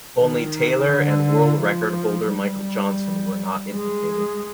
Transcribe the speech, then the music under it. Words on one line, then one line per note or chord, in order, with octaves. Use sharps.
Only Taylor and world record holder Michael Johnson were not implicated.
D#3
D3
F3
G3
G#3